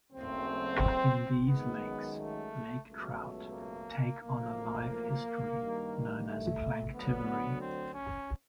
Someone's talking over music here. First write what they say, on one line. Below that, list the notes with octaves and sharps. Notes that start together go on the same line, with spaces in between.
In these lakes, lake trout take on a life history known as planktivory.
F#1 F#2 C#3 F#3 A3 C4
F#2 D#3 G#3 B3
A3
C#2 B2 F#3 A3
A#3
B1 A#2 F3 A3 A#3
G2 D#3 G3
A3
D2 D3 F#3 B3
C4
C#4